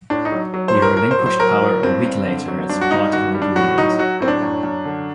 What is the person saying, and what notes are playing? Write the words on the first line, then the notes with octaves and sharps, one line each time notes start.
He relinquished power a week later as part of an agreement.
A2 D4
D#4
F#3
F#3
C5
A2
A#4
A2 A#4
C5
F#3
C5
F#3 A#4
A2
G2 C4
G2
D3
F#3
G2 D4
F#4
G2 D#4
D#3 F#4
G3
D4
A2 F#4
F#3 D#4
F#3 F#4
A2 C4
D4
F#2
F#2
D3